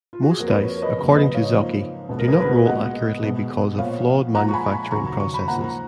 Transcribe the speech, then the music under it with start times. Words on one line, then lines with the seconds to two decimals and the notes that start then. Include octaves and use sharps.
Most dice, according to Zocchi, do not roll accurately because of flawed manufacturing processes.
0.13 F4
0.22 F#4
0.31 G#4
0.39 F2 F3 A#3 F#4 A#4
0.48 B4
0.54 A#4 C#5
0.68 A#4 C#5
0.82 B4 D#5
0.96 F2 C#3 F#3 A#3
1.15 B4 D#5
1.34 C#5 F5
1.53 G#2 F3 A#3
2.09 C#2 B2 G#3 B3
2.19 A#4
2.28 G#4 B4
2.41 B4
2.46 F#4 A#4
2.65 A#2 G#3 B3 D#5 F#5
3.22 B2 G#3 B3
3.78 A#2 F3 B3 C#5 F5
4.35 A#2 F3 G#3 F#5 A#5
4.48 C#6
4.54 G#5 B5
4.64 C#6
4.72 G#5 B5
4.91 D#2 C#3 F#3 A#5 C#6
5.20 C#6
5.34 B5
5.48 G#2 F3 A#3 F#5 A#5